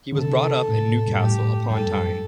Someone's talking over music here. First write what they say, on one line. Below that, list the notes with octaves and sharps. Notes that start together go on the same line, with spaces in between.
He was brought up in Newcastle upon Tyne.
D3
C3 A4
A2
G2
A2 G4
G2 A4
F#2